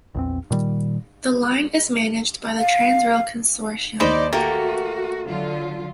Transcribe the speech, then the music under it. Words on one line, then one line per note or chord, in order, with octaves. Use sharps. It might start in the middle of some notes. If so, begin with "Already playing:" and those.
The line is managed by the Transrail consortium.
A#1 E2 C4
A#2 D#3 G3
F5
D#2 D#4 C5 D5 D#5 B5
A3 A#3 F#4 G4 A#4
D3 F#3 F4